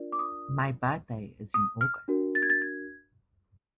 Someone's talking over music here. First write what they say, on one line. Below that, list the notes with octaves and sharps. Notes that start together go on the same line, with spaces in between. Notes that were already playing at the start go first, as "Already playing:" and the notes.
My birthday is in August.
Already playing: D4 F4 A#4 D5
D6
D#6
D#6
F6
D4 F#4 A#4
A6
G#6
A6
G#6